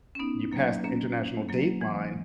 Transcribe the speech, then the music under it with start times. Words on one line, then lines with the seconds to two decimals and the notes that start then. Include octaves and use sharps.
you passed the international dateline,
0.15 C#4
0.19 B3 D#4
0.52 F#3 A#3
0.84 A#3 C#4
1.48 F#3 A#3
1.81 E3 G#3